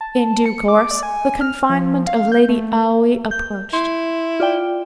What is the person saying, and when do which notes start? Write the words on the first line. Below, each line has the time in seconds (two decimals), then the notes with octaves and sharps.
In due course, the confinement of Lady Aoi approached.
0.01 A5
0.46 C#7
0.68 D6
0.91 D5
1.03 G#5
1.41 F6
1.70 F3
2.07 F5
2.32 G6
2.49 A3
3.31 G6
3.73 E4 C6
4.40 F4 D5 G5